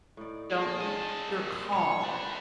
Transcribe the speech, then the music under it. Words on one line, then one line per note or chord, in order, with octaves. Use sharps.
don't y y you're calm.
A2 D#4 D5
A#3 D4 G#4 F5 A5
G#3 C4 D#5
A#3
C3 G3 F4 C#5 D#5
A3 D4 B4 C5